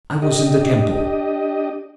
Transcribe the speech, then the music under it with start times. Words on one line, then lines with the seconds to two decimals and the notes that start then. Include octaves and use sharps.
I was in the Temple.
0.22 D4 G4 D#5